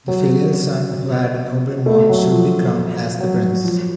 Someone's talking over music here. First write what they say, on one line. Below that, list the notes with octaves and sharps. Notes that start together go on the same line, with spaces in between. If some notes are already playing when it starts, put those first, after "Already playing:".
The filial son who had a noble mom should be crowned as the prince.
F#3
A3
F#3
F3
F#3
F3